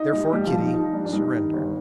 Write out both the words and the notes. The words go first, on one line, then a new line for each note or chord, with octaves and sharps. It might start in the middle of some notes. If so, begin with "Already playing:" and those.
Therefore Kitty surrendered.
Already playing: D#4 D#5
C2
F2 G3 G4
F3 F4
G3
D#4
F3 D#4
G2 D4
D4
G2 D#4
D#3
G1